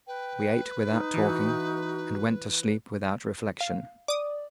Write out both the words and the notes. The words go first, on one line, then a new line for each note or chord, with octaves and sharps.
We ate without talking, and went to sleep without reflection.
B4 G5
D#4
E3 F#4
F5
D5 D6 D#6